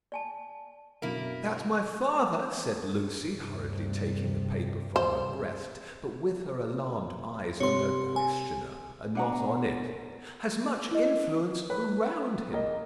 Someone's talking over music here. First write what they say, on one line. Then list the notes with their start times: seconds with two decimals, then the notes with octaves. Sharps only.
"That my father," said Lucie, hurriedly taking the paper from her breast, but with her alarmed eyes on her questioner and not on it, "has much influence around him."
0.12 D5 G#5 A5
1.02 F#2 B2 D3 A#3 E4
3.29 G2 C3
4.96 C5
7.60 C3 C#5 C6
8.16 G#5
9.15 B3 D4 F#5 A#5
10.91 E4 D#5
11.70 B4
12.52 A#3 D#5